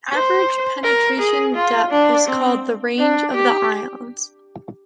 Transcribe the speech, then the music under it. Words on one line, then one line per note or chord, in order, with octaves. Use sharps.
The average penetration depth is called the range of the ions.
C5
A#4
G#4
F4
D4
C4
D4
G4